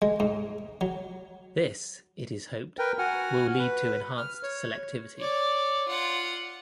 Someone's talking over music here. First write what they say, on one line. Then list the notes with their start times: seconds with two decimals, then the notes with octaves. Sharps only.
This, it is hoped, will lead to enhanced selectivity.
0.02 G#3
0.20 G#2
0.81 F#3
2.79 A#4 B4 G5
2.99 F#4 F#5 G#5 F6
3.59 B4
4.18 F6
4.43 C#5
5.18 C#5 D5
5.88 F4 F#5